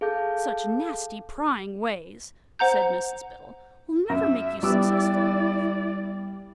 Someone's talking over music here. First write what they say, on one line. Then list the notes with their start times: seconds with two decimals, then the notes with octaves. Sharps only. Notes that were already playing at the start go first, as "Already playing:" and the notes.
'Such nasty, prying ways,' said Mrs Biddle, 'will never make you successful in life.
0.01 G#4 A4 F5 A5 D6 G6
2.59 C5 F#5 A#5 G6
4.09 F#2 E5
4.63 G3 B3 E4 D5 D6 E6